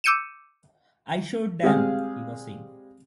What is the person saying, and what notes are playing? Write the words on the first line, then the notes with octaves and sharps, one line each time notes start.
"I showed them," he was saying.
D6 E6 G6 C#7 D#7 E7
G3 G#3 C4 G#4 F5